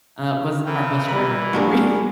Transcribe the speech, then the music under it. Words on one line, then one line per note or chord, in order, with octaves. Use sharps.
uh, was our bus driver. We
E3 C4 A#4 G5
G3 A#4 B4 A#5 B5
A2 G3 G#3 A#3 D4 F#4 G#4 A#4